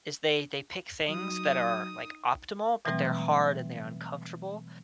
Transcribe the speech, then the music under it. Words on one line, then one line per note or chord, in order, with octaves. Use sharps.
is they they pick things that are, like, optimal, but they're hard and they're uncomfortable,
F#3 D#4 D#6
B2 E3 F#3 G3 A3 C4